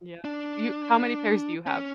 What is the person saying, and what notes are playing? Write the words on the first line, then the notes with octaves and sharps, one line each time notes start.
Yeah. You how many pairs do you have?
D4
C#4